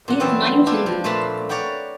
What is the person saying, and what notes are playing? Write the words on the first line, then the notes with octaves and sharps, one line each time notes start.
He has nine children.
A#2 F#5
E3 F#3 B3 C4 D5
D4 E4 F4 C5
F3
A#2 A3 B4 A5 B5 C6
A#4 C#5 D5 F#5 G5 B5